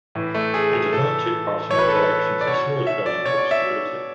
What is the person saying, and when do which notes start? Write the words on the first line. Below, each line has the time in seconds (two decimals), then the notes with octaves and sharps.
It did not take part in other elections and slowly fell into obscurity.
0.15 A2 E3
0.35 A3
0.54 G#4
0.73 G#4
0.93 A2 E3 A4
1.70 A2 E3 C#5
1.79 B4
1.88 A4
1.96 B4
2.41 D5
2.47 B2 C#5
2.87 E5
3.06 D5
3.25 B2 C#5
3.38 D5
3.51 E5